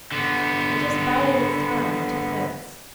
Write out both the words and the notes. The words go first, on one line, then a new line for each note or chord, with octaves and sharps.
It just bided its time and took notes.
D3 B3